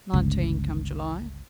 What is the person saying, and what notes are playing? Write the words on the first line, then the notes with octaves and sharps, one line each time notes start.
'Nineteen, come July.'
G1 C#2